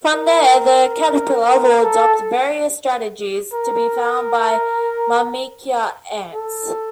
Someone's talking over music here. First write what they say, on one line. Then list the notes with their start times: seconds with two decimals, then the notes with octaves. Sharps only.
From there the caterpillar will adopt various strategies to be found by "Myrmica" ants.
0.14 A#4
1.84 A4
3.53 A#4
6.34 A4